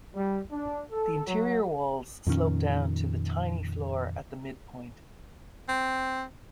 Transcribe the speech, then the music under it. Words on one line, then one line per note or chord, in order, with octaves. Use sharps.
The interior walls slope down to the tiny floor at the midpoint.
G3
D4
A4
F#3
F2 A#2 D#3 C#4
C4